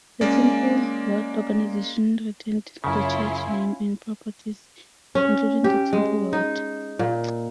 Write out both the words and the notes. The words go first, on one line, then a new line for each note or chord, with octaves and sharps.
The Temple Lot organization retained the church name and properties, including the Temple Lot.
G#3 A#3 C#4 D5
F#2 C#3 C#4 E4 F4
C#4
G4
G#3
D#4
A#2